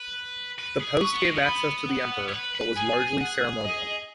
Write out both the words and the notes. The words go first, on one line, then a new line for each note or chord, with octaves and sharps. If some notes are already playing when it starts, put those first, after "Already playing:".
This post gave access to the emperor but was largely ceremonial.
Already playing: B4
B4
G#4
B4 C#6
B3
G#3
B3
B5
F#5
C#5
B4
B4
G#4 G#5
F#5
D#5